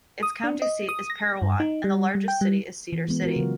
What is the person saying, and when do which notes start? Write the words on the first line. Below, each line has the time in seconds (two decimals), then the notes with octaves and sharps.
Its county seat is Parowan, and the largest city is Cedar City.
0.23 D#6
0.44 D4
0.62 D#5
0.89 D#6
1.10 A#6
1.42 G2
1.60 D#4
1.84 G3
2.15 G3
2.28 G5
2.41 G3
2.92 E3
3.08 G#3 B3
3.22 F4 F#4 A#4
3.36 C#3 F#3